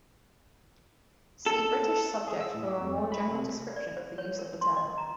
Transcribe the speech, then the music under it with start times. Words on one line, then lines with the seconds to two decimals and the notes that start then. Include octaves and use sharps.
See British subject for a more general description of the use of the term.
1.46 A4
2.27 G#4
2.41 E6
2.54 A2
2.67 G4
2.80 F2
2.98 A3
3.12 B5
3.31 C3
3.76 D5
3.97 C5
4.18 C#5
4.39 A#4
4.61 C6
4.77 D#5
4.98 A#5